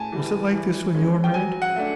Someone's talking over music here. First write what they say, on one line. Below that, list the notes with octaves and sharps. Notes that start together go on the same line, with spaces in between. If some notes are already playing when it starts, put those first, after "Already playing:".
"Was it like this when you were married?"
Already playing: A2 G#5 A5
E3 G3
E3
G#3 C#4
G5
F#3 G#5
F#5
A3 D4